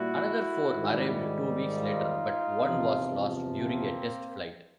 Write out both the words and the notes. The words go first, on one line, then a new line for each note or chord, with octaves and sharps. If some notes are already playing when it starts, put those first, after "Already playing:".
Another four arrived two weeks later, but one was lost during a test-flight.
Already playing: A#2 G3 E4 F#4
G#2 D#3 G3
D#4 F4
E2 C3 F3
A#3 C4